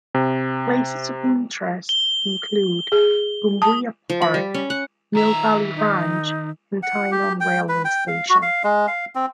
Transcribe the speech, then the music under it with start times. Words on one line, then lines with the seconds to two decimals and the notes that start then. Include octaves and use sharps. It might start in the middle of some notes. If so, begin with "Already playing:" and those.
Places of interest include Gumbuya Park, Mill Valley Ranch and Tynong railway station.
0.15 C3
1.89 G7
2.92 G#4
3.62 A5 D#6
4.10 F3
4.22 B5
4.34 G3
4.54 C#4
4.70 F#5
5.15 D#3 E5 A#5
5.76 D#4
6.83 F#5
7.11 G4
7.40 G5
7.69 B4
7.85 G5
8.08 F5
8.30 F#4
8.42 F5
8.64 G#3
8.88 F5
9.15 C4